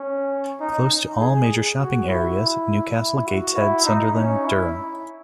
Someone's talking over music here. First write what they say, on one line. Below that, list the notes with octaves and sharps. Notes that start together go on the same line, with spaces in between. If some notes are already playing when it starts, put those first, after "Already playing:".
Close to all the major shopping areas: Newcastle, Gateshead, Sunderland, Durham.
Already playing: C#4
D#4
G#4
F#4
E4
E4
F#4
E4
D#4
C#4
E4